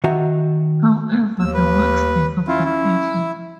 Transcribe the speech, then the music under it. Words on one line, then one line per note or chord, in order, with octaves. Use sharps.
However, the works differ completely.
D#3 F#4 E5 A#5
D#2 E6
B4
C#4 E4 F4
E4